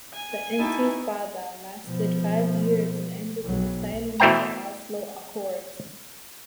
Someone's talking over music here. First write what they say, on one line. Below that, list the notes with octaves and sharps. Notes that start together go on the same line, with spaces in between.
The Intifada lasted five years and ended with the signing of the Oslo Accords.
G#5
D#4 E4 F#4 E5 A5 B5
B2 F3
B1 F#3
B2 E3 A3 C5 G5 A#5